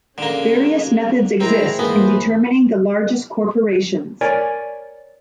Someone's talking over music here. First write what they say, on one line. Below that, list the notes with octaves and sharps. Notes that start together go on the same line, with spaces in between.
Various methods exist in determining the largest corporations.
D3 A#3 C#4 G#4
G#3 C4 E4 A#4 A#5
G#2 E3 A#3 B3 G#4 A#4 C5 B5
A#4 C#5 D5 G#5